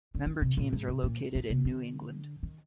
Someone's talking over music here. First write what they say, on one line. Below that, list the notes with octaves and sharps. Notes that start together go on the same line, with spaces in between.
Member teams are located in New England.
D3
D#3
C3
A#2
G#2
C3
A#2
A#2
C3
D3
D#3